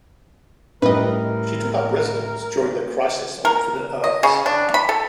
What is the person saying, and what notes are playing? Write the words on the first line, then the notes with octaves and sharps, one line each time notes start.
She took up residence during the Crisis on Infinite Earths.
A2 G3 A#4 B4 D#5
A#4
D#5
C#3
D4
B5
A4